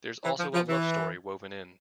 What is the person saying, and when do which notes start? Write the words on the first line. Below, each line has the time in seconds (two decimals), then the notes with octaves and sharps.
There's also a love story woven in.
0.24 E3
0.39 F3
0.54 F3
0.68 E3